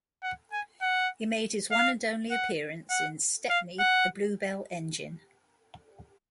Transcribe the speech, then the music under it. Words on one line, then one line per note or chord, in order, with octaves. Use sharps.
He made his one and only appearance in "Stepney the "Bluebell" Engine".
F#5
G#5
F#5
F5
F#5
F#5
F5
F#5